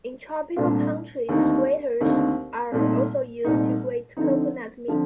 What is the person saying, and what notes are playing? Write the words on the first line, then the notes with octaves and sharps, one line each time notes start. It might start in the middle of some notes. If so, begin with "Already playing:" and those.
In tropical countries graters are also used to grate coconut meat.
C2 A#2 A3 D4 F4
D#2 D3 A3 C4 D#4
D#2 D3 A3 C4 D#4
C2 A#2 A3 D#4
C2 A#2 A3 D#4
D3 F3 C4 D#4
D3 F3 C4